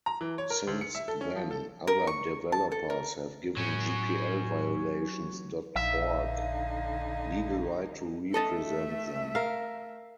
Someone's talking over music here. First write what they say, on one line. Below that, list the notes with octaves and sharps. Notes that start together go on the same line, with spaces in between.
Since then, other developers have given gpl-Violations dot org legal right to represent them.
A#5
E3
C#5
A#4
D2
C#7
E5
A4
C#4
F3
A4
A#4
C#6
A5
A4
A#4
A2 F#3 C#4
A#1 D3 D#4 E5 F5
A3 A4 D#5 E5 A5
A#4 F5